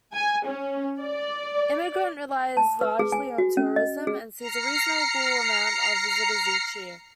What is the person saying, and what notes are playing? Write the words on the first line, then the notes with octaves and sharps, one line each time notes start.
Emigrant relies largely on tourism and sees a reasonable amount of visitors each year.
G#5
C#4
D5
A5
B4
G#4
G#5
F#4
C#4
D#5
G#4
A#5 F6 C7 C#7